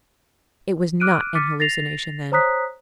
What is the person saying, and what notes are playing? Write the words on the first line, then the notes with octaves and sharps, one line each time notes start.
It was not an hallucination, then.
D6 F6 F#6 D7 D#7
D6 F6 A6 B6 C#7 D#7
A6 A#6 C7 F7
C5 C#5 A#5 D#6 F#6 B6